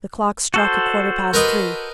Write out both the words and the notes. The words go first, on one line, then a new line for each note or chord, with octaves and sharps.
The clock struck a quarter past three.
F#4 A4 C5
A#4 B4 D#5